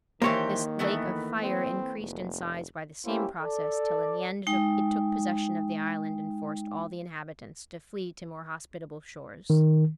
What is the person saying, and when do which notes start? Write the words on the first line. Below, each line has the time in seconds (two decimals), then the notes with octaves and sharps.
This lake of fire increased in size by the same process till in the end it took possession of the island and forced all the inhabitants to flee to more hospitable shores.
0.22 D#3 E3 A#3 G4 C5 C#5
0.79 E3 A3 B3
1.41 C4
2.01 F1
3.06 A#3 C#4 E4 G4 C5 E5
3.40 A4 D5
4.47 G#3 D#4 G5
9.50 D#3